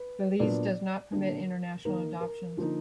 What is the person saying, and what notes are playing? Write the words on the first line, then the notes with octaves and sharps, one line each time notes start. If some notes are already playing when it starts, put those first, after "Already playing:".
Belize does not permit international adoptions.
Already playing: B4
A#2 F#3 B3 D4 D5
D3 F#3 A#3 D4 A#4
D#3 A#3 D#4 A#4
A#4
D3 F3 A#3 D#4